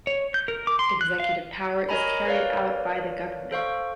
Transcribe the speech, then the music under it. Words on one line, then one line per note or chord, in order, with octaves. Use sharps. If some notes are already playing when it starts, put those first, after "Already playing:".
Executive power is carried out by the government.
C#5
G6
A#4
D6
C6
F#6
F5
A#4 C#5 D#5 G#5 A#5 B5
A#4 B4 C#5 D5 F5
A4 C5 F5 C#6